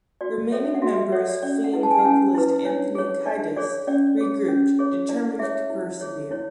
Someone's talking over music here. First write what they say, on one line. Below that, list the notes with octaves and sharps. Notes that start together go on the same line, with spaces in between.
Remaining members Flea and vocalist Anthony Kiedis regrouped, determined to persevere.
F#4 D5
A4 C#5 E5
F#5
F#4 E5
E5
A4 C#5 F#5
D5
C#4 D5
F#5
E4 B4
A5
G#5
F#5
C#4 G#5
E4 B4
D4 C#5
G#4 C#5
D4 D5
G#4 C#5 D5
C#4 D5
G#4 C#5
C#4
G#4 C#5
E4 D5
G#4 C#5 E5
E4
G#4 C#5
E4 C#5